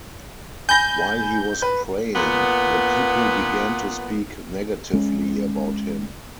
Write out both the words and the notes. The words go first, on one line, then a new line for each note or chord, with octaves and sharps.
While he was praying, the people began to speak negatively about him.
G#5 B5 G6 A#6
B4
A#2 B3
G#3 C#4